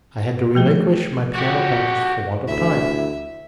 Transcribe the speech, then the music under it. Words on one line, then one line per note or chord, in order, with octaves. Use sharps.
I had to relinquish my piano practice for want of time.
F3 A3 G#4
F#4 G4
D2 E4 E5